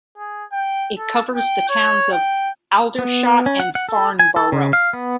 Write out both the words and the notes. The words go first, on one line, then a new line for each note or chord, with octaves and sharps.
It covers the towns of Aldershot and Farnborough.
G#4
G5
A4
G5
C#5
G5
B3
C#4
F#5
F#5
A4
G#5
A4
C#3
F5
B3